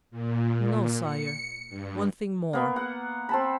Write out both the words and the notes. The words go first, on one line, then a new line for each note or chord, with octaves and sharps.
"No, sire, one thing more."
A#2
C#7
G2
A#3 B3
F#5
C4 A5 B5